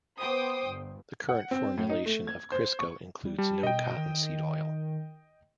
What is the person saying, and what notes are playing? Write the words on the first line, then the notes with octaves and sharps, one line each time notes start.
The current formulation of Crisco includes no cottonseed oil.
B3 C5 G5 D6 D#6
G1
F#5
C4
A2
D#4
A3
G#6
C5
C#6
G3
G3 A5
B2 D#5 G5
D#3